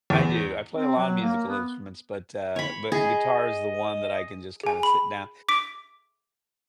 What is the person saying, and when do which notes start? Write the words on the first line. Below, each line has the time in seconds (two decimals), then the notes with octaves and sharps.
I do, I play a lot of musical instruments, but, uh but guitar is the one that I can just kinda sit down
0.10 E2
0.74 C4
0.97 F#3
1.22 A#3
1.49 B3
2.56 C#5 B5
2.92 G#4 D#5
4.63 G#4 G#5
4.83 B5
5.49 D6 B6 D7